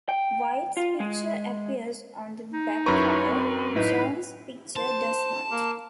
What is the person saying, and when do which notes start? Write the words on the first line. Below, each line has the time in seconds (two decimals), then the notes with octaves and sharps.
White's picture appears on the back cover; Jones' picture does not.
0.09 G5
0.77 F4
1.00 G#3
2.53 D#4
2.86 F#2 E4 F#4 B4 C#5 A#5 C#6
3.25 C4
3.76 A2 F#3 D#4 E4 B4 F5
4.76 C5 A5
5.51 A#3